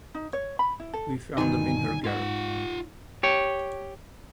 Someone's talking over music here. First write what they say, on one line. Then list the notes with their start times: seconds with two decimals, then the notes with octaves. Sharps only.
We found them in her garret.
0.15 D#4
0.33 C#5
0.59 B5
0.80 E4
0.93 A4
1.38 D2 G2 D#3 D#4 G#5
2.04 G#2 F4 F#5
3.23 G4 C#5